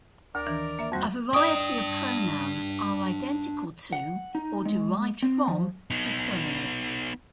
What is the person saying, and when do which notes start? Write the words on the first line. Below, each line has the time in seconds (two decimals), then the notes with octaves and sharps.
A variety of pronouns are identical to or derived from determiners.
0.35 D2 A#4 D5 A#5
0.46 D#3 E3 D4
0.79 A#3 E5
0.92 F2 G3 C4 F#4
1.34 D4 D5 G5 D#6
3.93 F#5
4.35 D#4
4.65 G#3
5.23 C4
5.48 F3
5.91 B3 D#4